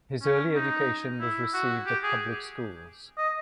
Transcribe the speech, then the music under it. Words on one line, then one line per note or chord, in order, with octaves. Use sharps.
His early education was received at public schools.
C#4
D#4
E4
F#4
G4
G#4
D#5